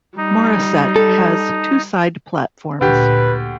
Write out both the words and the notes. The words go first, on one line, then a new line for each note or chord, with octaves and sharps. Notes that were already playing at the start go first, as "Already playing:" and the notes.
Morisset has two side platforms.
G3 D#4
A4
D2 A#2 G4 B4